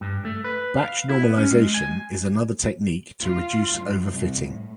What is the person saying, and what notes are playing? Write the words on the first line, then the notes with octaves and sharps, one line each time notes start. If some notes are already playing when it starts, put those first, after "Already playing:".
Batch normalisation is another technique to reduce overfitting.
G2
A3
B4
F5
E4
B3
C#4
G#3
G#5
F4
F#2
C2
A2